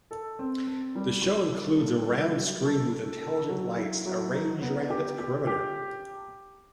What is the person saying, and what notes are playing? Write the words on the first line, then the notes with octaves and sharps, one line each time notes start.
The show includes a round screen with intelligent lights arranged around its perimeter.
A4
C4
C4
G3
G3
G3
A4
G3
F#3
A4
A4
A4
F#3
E4
F#3
D#4
B3
G4
G4
G4